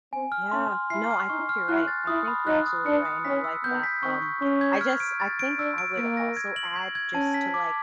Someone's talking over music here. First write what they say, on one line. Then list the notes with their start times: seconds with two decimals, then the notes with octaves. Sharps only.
Yeah, no, I think you're right, I think you're absolutely right, and I like that, um, I just I think I would also add just to like
0.13 C4 G#5
0.32 F6
0.51 C#4 C6
0.71 F6
0.90 E4 C7
1.11 F6
1.29 D#4 C#6
1.49 F6
1.68 E4 F#6
1.88 A6
2.07 E4 D#6
2.28 B5
2.46 D#4 F#6
2.66 D#6
2.86 D4 C#7
3.05 D#6
3.24 C#4 B6
3.44 E6
3.64 B3 G6
3.83 B6
4.02 C4 C#6
4.22 C#6
4.41 C#4 C#6
4.61 G#6
4.81 F6
5.00 D7
5.20 A6
5.39 D7
5.58 D4 E6
5.78 D7
5.97 A#3 D7
6.17 A#6
6.37 G#6
6.56 F#7
6.76 G#6
6.95 G#6
7.14 C#4 A5
7.34 B6
7.54 D6